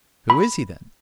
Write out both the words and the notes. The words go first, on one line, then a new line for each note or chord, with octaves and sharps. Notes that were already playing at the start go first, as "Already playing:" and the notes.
"Who is he, then?"
B5